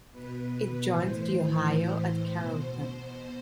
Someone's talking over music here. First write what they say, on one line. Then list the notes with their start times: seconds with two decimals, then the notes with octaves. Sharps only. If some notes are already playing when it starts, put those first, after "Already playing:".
It joins the Ohio at Carrollton.
0.11 B2 B4
0.86 A2 E3 C5
1.61 A2 E3
2.35 B2 C5
3.09 B2